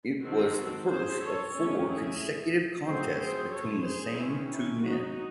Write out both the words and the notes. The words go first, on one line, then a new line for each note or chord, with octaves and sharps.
It was the first of four consecutive contests between the same two men.
D#3 G#3 C4 F#4 A4
G#4 C5
A4 C#5
D#3 A3 C#4
E4 G#4
F#3 A3 C4 G#4 C5
G#4 C5
A4 C#5
G#4 C5
D#3 G#3 C#4 E4
E4
D#4 F#4